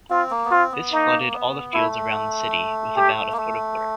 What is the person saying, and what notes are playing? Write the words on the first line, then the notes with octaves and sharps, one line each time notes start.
This flooded all the fields around the city with about a foot of water.
C4 F4
A#3
B3
C4 F4
B3
A#3 D#4
B3
A3 E4
G4
A#3
A3